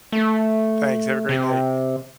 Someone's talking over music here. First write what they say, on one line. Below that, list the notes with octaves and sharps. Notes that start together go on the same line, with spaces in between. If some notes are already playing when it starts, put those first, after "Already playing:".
Thanks, have a great night.
A3
C3